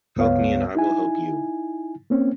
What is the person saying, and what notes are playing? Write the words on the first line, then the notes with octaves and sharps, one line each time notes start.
Help me and I will help you.
C#2 G2 B3 C#5 F5
D#4 E4 G#5
A#3 C4 C#4